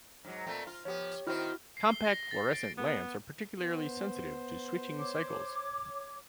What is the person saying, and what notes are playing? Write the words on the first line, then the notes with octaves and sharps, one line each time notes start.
Compact fluorescent lamps are particularly sensitive to switching cycles.
G#2 F#3
A#2 A3 C4
F4
F3 B3 G4 C#5
D#3 C4 E4 F#4 C5 F6
C7
G7
A#6
A6
D7
B3
B3 C5
C#5 D6